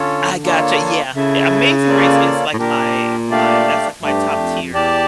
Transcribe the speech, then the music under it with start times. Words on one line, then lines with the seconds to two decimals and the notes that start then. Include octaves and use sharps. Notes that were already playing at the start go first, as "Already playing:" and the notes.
I gotcha, yeah, eh, Amazing Race is like my my that's like my top tier
Already playing: D3 C#4 F4 A4 C#5
0.44 A#3 D4 F4 A4 C#5
1.15 C#3 E4 A4 E5
1.86 A#3 C#4 F4 A4 D5
2.53 A2
2.58 A#2 D4 G4 A#4
3.30 A3 D4 G4 D5 F5
4.02 G2 A3 D4 G4
4.29 G2
4.37 F2
4.73 E2 G4 D5 A5